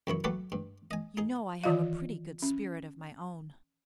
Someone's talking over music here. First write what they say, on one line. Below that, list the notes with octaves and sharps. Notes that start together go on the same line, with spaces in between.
You know I have a pretty good spirit of my own.
C#2 F#2 E4 C#5
F#3 A3 G4 A4 B4
G2
D#5 G#5
D#4 G#4
D#3 E3 F4 D#5 F5
C#4